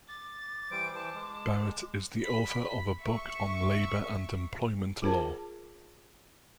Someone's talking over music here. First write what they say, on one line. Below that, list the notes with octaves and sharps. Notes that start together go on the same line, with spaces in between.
Barrett is the author of a book on labor and employment law.
D6 A6
E3 G3 C5 D7
E3 C5 A5
G#3
B5 B6
E5 C#6
F4 G#4 A#4 C5 A5